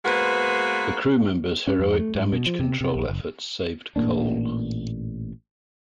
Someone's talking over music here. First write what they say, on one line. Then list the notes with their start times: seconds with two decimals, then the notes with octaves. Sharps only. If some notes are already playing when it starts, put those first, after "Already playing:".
The crewmember's heroic damage control efforts saved "Cole".
0.05 G#3 A#3 B3 F#4 B4 C5
1.67 C#4
1.79 F2
1.99 A3
2.15 G#2
2.33 B2
2.46 F3
2.60 C3
2.81 C3
2.95 A#1
3.09 F#1
3.96 A1 A#2 A#3 D4